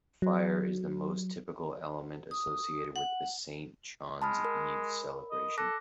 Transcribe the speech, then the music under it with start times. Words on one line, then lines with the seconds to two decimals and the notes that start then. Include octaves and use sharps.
Fire is the most typical element associated with the Saint John's Eve celebration.
0.22 F#3
2.31 D#6
2.96 F#5
4.22 G#3 A5 B5 F6
4.44 A#4 B5
5.31 D#5
5.58 A4 D6 F#6 A#6